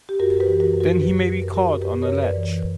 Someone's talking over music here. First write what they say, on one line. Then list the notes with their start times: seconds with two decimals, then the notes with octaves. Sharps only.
Then he may be caught on a ledge!
0.09 G4
0.19 F#2 F#4 A#4
0.40 G4 B4
0.48 E3
0.60 F#4 A#4
0.74 F#2
0.81 F#4 A#4
1.00 F#2 G4 B4
1.28 F#2
1.42 A#4
1.48 G4
1.55 F#2 F#4 A#4
1.81 F#2 G4 B4
2.02 A#4 C#5
2.09 F#2
2.23 B4 D5
2.36 E3